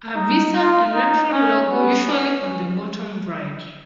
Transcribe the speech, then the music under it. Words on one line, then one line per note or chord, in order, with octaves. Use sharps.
A Visa Electron logo, usually on the bottom right.
D#4
F4
D#4
C#4
B3
C#4